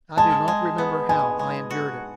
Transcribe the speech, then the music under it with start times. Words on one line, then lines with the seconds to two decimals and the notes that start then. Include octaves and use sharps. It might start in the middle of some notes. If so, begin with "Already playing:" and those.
I do not remember how I endured it.
0.17 G#3 A5
0.48 G#3
0.78 B3
1.09 G#3 G#5
1.39 G#3
1.71 F#4